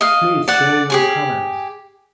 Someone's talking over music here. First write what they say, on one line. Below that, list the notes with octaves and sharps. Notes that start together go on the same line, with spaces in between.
Please share your comments.
D#5 F5
D5 F#5
G4 G#4 G#5